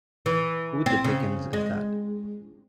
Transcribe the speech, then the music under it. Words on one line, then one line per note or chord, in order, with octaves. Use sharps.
Who the dickens is that?
E3
C4
C#3
G#3